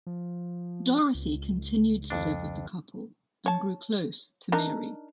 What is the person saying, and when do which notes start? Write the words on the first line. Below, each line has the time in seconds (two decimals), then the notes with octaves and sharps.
Dorothy continued to live with the couple and grew close to Mary.
0.07 F3
1.15 C#2
2.10 F2 D4
3.46 C#5 A5
4.52 D4 D#4 A#4